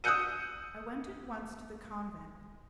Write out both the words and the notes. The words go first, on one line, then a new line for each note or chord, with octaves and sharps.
I went at once to the convent.
D#6 E6 F#6 G6 C#7 D#7